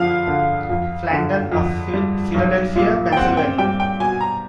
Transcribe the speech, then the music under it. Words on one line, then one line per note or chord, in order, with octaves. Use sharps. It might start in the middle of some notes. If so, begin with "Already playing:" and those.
Flanagan of Philadelphia, Pennsylvania.
Already playing: F2 D3 F3 F5
D3
F2
D3
F2
G3
B1
A#2
G5
C4 F#5
G5
G3 G5
G5
B2 G#5
A#5